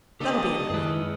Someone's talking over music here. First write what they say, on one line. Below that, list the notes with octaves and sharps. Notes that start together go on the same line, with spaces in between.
"That'll be enough."
C#3 A#3 D4 G4 A4 D#5 A5
F#2 D#3 G#3 E4 G#4 B4